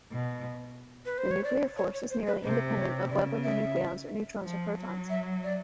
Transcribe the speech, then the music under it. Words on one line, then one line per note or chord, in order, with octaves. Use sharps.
The nuclear force is nearly independent of whether the nucleons are neutrons or protons.
B2
B4
C5
C#5
D5
C#5
C#5
C5
B4
C3 C5
C#5
C#3 D5
E5
F3
F#3
E5
D5